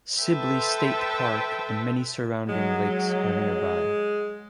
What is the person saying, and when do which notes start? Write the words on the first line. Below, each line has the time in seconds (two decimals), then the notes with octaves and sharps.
Sibley State Park and many surrounding lakes are nearby.
0.21 A4 B4 C5 E5 G5 A5
2.49 F#3 G#3